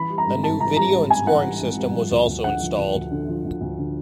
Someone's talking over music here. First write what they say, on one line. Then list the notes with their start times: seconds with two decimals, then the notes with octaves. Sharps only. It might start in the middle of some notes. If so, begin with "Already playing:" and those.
A new video and scoring system was also installed.
Already playing: E3 B5
0.10 G3
0.18 A#5
0.27 G#1
0.43 G2 A5
0.60 E3 A#5
0.77 G3 A#5
0.94 G#1
1.10 G2 G#5
1.27 E3 F#5
1.44 G3
1.61 G#1
1.78 G2
1.94 F3
2.11 D2
2.27 D2
2.44 D3 F#5
2.61 F3
2.78 D2
2.94 D2
3.11 D3
3.28 F3
3.44 D2
3.61 D2
3.78 D3